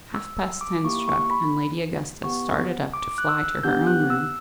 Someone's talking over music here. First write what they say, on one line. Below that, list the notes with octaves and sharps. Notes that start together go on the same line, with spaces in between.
Half-past ten struck, and Lady Augusta started up to fly to her own room.
E6
E6
D6
A#3 E4 G4 C#6
C#6
B5
B3 E4 G4 C#6
D6
F#6
E6
B3 D4 G4 G6
F#6
E6